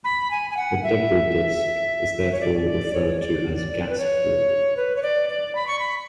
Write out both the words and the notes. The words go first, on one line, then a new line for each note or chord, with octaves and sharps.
The debris disk is therefore referred to as "gas-poor".
B5
G#5
G#5
F#5
E5
C#5
D5
D5
C#5
D5
B4
C#5
B4
C#5
D5
D5
B5
C#6
B5